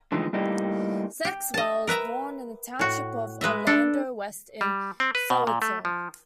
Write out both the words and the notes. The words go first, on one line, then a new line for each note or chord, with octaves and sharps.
Sexwale was born in the township of Orlando West, in Soweto.
D3 E3 F3 G#3 A3 D#4
G3 A3 A#3 D#4 E4 G4
G4
D#5 A5
A#4 B4 E5 A#5
A2 F#4
G#3 B4 D#5 E5
D4 A4
G3
C4
B4
B2
A#2
A3
F3